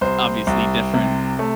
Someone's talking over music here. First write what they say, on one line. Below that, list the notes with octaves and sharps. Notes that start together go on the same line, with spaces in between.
obviously different
C2 C5
C2
C3
A3